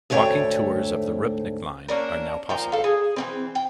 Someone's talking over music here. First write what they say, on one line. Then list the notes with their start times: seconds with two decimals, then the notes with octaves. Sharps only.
Walking tours of the Rupnik Line are now possible.
0.10 D2 G#2 A3 C#5 D5 G5
1.89 A#3 C#4 D4 A#4
2.49 A#2 F3 G5 A#5
2.72 A4 F5
2.84 G#4
3.16 E3 A#3 C4
3.55 G5